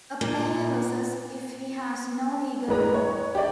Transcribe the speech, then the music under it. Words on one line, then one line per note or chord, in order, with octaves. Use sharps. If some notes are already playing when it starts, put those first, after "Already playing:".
A player loses if he has no legal move.
A#2
A1 G#3 B4 A#5 B5
C#5
G4 D5